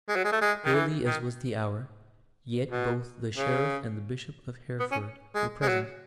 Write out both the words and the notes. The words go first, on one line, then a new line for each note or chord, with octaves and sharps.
Early as was the hour, yet both the Sheriff and the Bishop of Hereford were present.
G#3
F#3
G#3
A3
G#3
D#3
E3
D#3
B2
C#3
B3
C#4
G#3
G#3
F#3